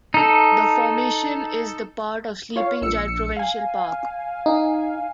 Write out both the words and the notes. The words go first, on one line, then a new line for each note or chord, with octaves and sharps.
The formation is part of Sleeping Giant Provincial Park.
D#4 A4
F4 C#5 F5
A#1 E6 C#7
F5 G#5
D#4